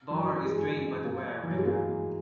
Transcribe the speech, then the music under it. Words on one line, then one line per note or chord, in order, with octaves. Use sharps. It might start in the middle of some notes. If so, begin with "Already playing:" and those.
Barre is drained by the Ware River.
E3
F#3
G#3
A#3
E3
F#3
G#3
A#3